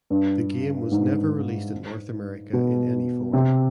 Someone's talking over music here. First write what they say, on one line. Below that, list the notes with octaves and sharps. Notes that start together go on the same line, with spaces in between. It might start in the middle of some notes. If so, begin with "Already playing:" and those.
The game was never released in North America in any form.
G2
G#2
B2
C3